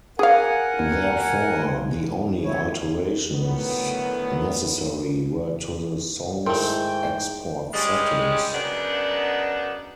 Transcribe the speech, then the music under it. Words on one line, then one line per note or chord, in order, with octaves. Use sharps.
Therefore, the only alterations necessary were to the songs' export settings.
G#4 A#4 F5 F#5 G#5
E4 C#5
D2 A2 D#3 F#3 B3
G#2 D#3 A3 E4 A#4 G5 C6
G3 G#3 C#4
F#2 C#3 B3 D4 D#4 F#5